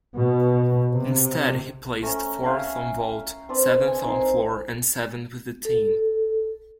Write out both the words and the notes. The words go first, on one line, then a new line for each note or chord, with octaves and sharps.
Instead he placed fourth on vault, seventh on floor and seventh with the team.
B2
C3
A3 C#4 E5 A#5
E5 F5 G5 G#5
C4 D4 B4 D5
G#5
C4 D#4 A#4 C5
A4